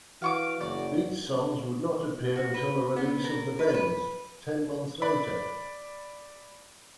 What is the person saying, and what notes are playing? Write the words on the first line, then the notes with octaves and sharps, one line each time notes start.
These songs would not appear until the release of "The Bends", ten months later.
E3 F#4 F5 C#6 D6
F#1 D5
F#4
B4
B3
A#4
B4
B4
D5 B5